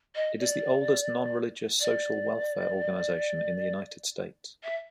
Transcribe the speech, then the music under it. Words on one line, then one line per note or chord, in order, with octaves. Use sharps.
It is the oldest non-religious social welfare organization in the United States.
D#5
D5
D5
E5